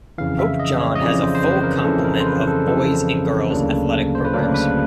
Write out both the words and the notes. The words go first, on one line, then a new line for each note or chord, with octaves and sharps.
Pope John has a full complement of boys and girls athletic programs.
F2 C#3 E3 F5
E5
D#5
C#5
D#5
F2 C#3 E3 D5
C5
C5
B4
A#4
F2 C#3 E3 A4
A#4
C5
B4
A4
F2 C#3 E3 A4
D2 C#3 F#3 A#3 D4
C5
B4
D2 C#3 F#3 A#3 D4 A#4
B4